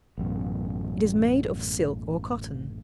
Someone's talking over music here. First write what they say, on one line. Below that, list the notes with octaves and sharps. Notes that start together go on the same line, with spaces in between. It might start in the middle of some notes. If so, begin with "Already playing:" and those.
It is made of silk or cotton.
A1 F#2 B2